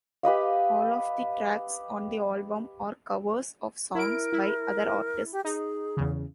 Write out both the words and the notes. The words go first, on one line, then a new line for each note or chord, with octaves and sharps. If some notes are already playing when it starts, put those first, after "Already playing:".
All of the tracks on the album are covers of songs by other artists.
G4 B4 D#5 F5
E4 A#4 D7
E4
G4
D#4 G#4
E2 C#3